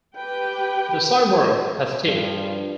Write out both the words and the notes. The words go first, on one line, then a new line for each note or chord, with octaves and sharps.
The simurgh has teeth.
G4 B4 G5
G2 F3